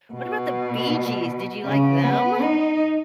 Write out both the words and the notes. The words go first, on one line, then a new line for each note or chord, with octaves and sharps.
What about the Bee Gees? Did you like them?
B2
C#3
B3
D#4